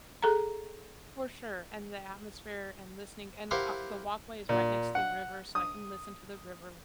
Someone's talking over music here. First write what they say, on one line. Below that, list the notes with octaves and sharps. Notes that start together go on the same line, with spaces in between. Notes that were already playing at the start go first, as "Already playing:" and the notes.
for sure, and the atmosphere, and listening, and a the walkway is right next to the river, so I can listen to the river,
G#4 A4 A#5
E4 G4 A#4 C5 F5 F#5
A#2
F#5
D#6